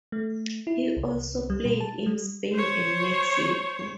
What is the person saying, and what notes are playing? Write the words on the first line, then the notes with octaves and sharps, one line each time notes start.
He also played in Spain and Mexico.
A3
E4
C2
G3
B2
A5
G3
C5 C#5